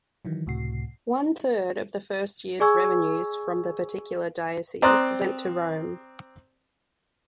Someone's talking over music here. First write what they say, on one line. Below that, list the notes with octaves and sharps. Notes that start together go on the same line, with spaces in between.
One third of the first year's revenues from the particular diocese went to Rome.
D#3 E3 F#3
C#2 A2 C3 F#4 C7
G#4 D5 G#5 C#6 E6 G#6
C4 D5 A#5 C6 D#6 F#6